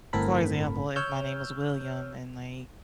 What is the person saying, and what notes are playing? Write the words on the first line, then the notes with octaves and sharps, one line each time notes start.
For example, if my name was William and, like,
G1 A2 C4 A4 A#4 B5
C#5 E6 F6 G6